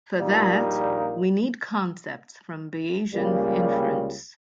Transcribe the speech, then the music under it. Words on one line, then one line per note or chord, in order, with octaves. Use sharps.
For that, we need concepts from Bayesian inference.
A#1 A#2 G3 A#3 D#4
C#2 C#3 G3 A#3